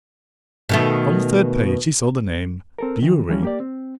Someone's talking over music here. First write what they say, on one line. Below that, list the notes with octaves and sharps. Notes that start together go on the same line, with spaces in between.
On the third page he saw the name Bewery.
B2 D#3 A3
C4 A4 A#4
D#3 E3
E3 F3 G3 C#4
A#3 G4 D5
C4